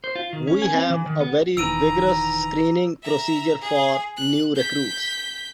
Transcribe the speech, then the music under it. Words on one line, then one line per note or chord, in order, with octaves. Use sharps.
We have a very vigorous screening procedure for new recruits.
C5
F4
D#3
C#4
G#5
C4
E3
D#3
B3
E1 D#3 E3 A#5 E6 D7 D#7
E5 A#5
G#4
F#6
G6 B6